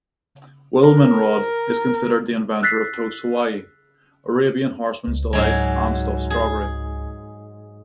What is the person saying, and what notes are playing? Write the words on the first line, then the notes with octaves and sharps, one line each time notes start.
Wilmenrod is considered the inventor of Toast Hawaii, "Arabian Horseman's Delight" and "stuffed strawberry".
A#4
E6 F#6 A6 B6 C7
C#2
G#2 F#3 G#3
G#4